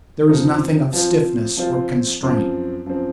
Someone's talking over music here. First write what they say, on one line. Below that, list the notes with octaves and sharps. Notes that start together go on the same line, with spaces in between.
There is nothing of stiffness or constraint.
F#2 F3 C4 D#4 A#4
F3 C4 F4 C5
F3 C4 F4 C5
F#2 F3 C4
F#2 F3 C4